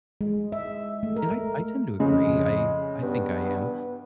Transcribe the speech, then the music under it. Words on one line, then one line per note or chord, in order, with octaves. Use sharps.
And I I tend to agree, I I think I am.
G#3
E5
A3
A#4
A3
F2 C#3 G#3
G2 B3